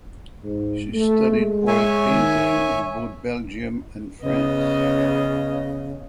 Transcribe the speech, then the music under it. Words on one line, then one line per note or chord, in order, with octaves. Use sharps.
She studied oil painting in both Belgium and France.
G#2
A3
G#3
C#5 E5 G#5
D#3
C#3 B3 D#5